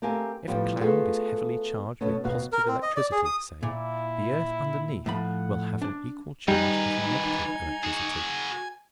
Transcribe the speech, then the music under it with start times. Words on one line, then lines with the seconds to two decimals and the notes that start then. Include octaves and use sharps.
If a cloud is heavily charged with positive electricity, say, the earth underneath will have an equal charge of negative electricity.
0.02 A3 C4 G4 A#4 F5 G#5
0.48 A2 F3 G3 B3
0.81 A3 B3 F4 F#4 G#4 A4
2.01 B2 A3 B3 C#4
2.24 D#2 B2 F#4 F5
2.52 A#4
2.68 C4
2.82 D#5
2.96 D5
3.12 G#4
3.25 D#6
3.63 A#2 E4
5.06 A2 F3 F#5 B5
5.82 D4
6.48 D#3 G3 D#4 B4 G#5
7.83 F#4 G#4